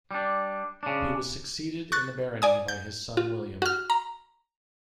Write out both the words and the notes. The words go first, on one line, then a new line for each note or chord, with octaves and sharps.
He was succeeded in the barony by his son William.
G3 D4
C#3 D4
C#6 F#6 A6
D5 G#5 D#6
G6
F4
F#4 F6
A#5